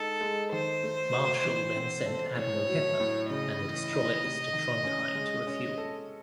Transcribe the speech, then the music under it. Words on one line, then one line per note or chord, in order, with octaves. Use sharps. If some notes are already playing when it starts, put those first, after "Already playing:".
Marschall then sent "Admiral Hipper" and the destroyers to Trondheim to refuel.
Already playing: G#3 D#4 A4
G#3
D#3 C5
A3
F#4
E3
C4
A4
A2 C#5
F#3
A2
C#3 D#5
E3
D#4
C3
D#3
C#4
G#3
C#4
A4